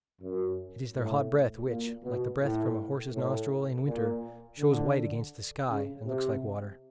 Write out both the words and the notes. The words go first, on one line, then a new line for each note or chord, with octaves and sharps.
It is their hot breath which, like the breath from a horse's nostrils in winter, shows white against the sky and looks like water.
F#2
A2
A#2
B2
A2
A2
A#2
D3
C#3
C3